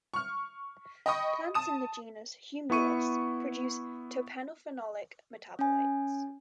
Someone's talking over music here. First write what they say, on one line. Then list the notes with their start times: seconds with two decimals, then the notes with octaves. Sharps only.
Plants in the genus "Humulus" produce terpenophenolic metabolites.
0.14 C#6 F6
1.06 D#5 G5 B5 C#6 D#6
1.54 A5 D#6 E7
2.70 B3 E4 C#6 D#7
5.59 C#4 G#5